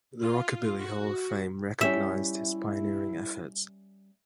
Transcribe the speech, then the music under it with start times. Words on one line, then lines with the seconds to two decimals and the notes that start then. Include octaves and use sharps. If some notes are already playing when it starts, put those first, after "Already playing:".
The Rockabilly Hall of Fame recognized his pioneering efforts.
0.22 F4
0.78 F#4
1.81 G3 C#4 E4 G4 E5